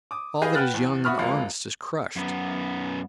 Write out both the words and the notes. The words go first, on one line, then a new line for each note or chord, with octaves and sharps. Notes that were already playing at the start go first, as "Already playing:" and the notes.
All that is young and honest is crushed!
D6 D#6
G4 G#4 B4 D#5 F5 G#5
B4 F#5 G5 F6 F#6 A6
E2
F#4 E5 B5 C#6 D#6 F6
E1 C#2 F3 A#3 F5
F#2 B3